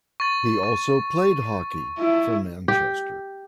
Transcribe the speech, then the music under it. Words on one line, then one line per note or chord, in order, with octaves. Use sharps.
He also played hockey for Manchester.
C#6 A6
C#6
E4
G4